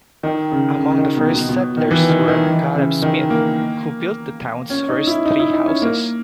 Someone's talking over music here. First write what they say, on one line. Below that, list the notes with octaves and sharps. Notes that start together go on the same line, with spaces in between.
Among the first settlers were Caleb Smith who built the town's first three houses.
D#3
C#3
C#3
C#3
D#3
B2
B2
B2
D#3
E3
D#3
D#3
E3
C#3
D#3
A#3
C#4
D#4
E4
D#4
E4
D#4
C#4
A#3